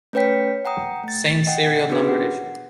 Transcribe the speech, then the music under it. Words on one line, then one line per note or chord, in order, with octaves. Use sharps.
Same-serial numbered issue.
A3 C#4 B4 C#5 G5 B6
F#5 G5 A#5 D#6
A3 A6
D#5 F#5 G5
B3 C#4 D4 F#4 G#4 B4
F#5